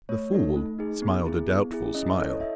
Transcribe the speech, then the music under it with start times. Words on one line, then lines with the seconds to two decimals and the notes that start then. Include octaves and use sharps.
The Fool smiled a doubtful smile.
0.09 A3 C#5
0.32 D#4 A4
0.56 A3
0.79 D#4 G#4
1.02 B3
1.26 E4 G#4
1.48 B3
1.71 E4 G#4
1.94 C#4 D#5
2.06 D#5
2.18 E4 A4 C#5
2.29 D#5
2.41 E5